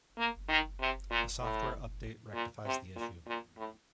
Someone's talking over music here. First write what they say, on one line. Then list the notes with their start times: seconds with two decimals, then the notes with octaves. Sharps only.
A software update rectifies the issue.
0.18 A#3
0.49 D#3
0.80 C3
1.11 A#2
1.41 A2
2.34 A#2
2.65 C3
2.96 A#2
3.27 A#2
3.57 A2